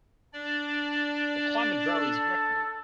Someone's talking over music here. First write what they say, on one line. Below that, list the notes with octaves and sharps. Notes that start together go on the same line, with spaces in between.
The climate varies greatly.
D4 D5
A4